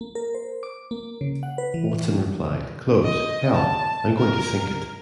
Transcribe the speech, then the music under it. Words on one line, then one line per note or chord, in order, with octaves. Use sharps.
Watson replied, Close, hell, I'm going to sink it.
A#3
A#4
C5
D6
A#3
C#3
F#5
B4
E3
D#5
A5
A#4